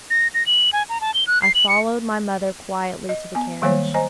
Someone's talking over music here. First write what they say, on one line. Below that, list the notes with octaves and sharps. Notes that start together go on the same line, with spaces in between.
I followed my mother quietly to the carriage.
A#6
A#6
F#7
G#5
A#5
A5
G7
F#6
C7
F#7
C#7
D#5
B3 G#5
D#3 F#3 G3 A#3 C5 C#5
C5 D#5 G#5 A#5